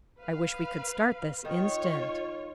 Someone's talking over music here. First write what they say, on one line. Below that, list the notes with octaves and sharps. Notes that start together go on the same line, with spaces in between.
"I wish we could start this instant."
B4 F5
D#3 F4 C#5